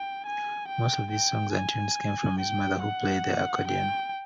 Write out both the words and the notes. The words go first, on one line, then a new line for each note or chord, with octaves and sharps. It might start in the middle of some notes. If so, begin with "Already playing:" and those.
Many of his songs and tunes came from his mother who played the accordion.
Already playing: G5
G#5
G5
G5
G#5
G5
F#5
G5